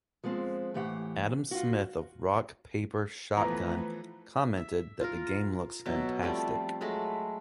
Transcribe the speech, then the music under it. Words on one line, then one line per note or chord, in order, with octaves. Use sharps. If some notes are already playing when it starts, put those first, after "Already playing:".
Adam Smith of Rock, Paper, Shotgun commented that the game looks fantastic.
F3 G#3 B3 C4
A2 E3 G4 F#5
F4 F#4
E3 F3 A3 B3 B4 A#5
E5
F4 A#4
B2 F#3 E5
F3 G3 A3 C4
F#3 G#3 A3 B5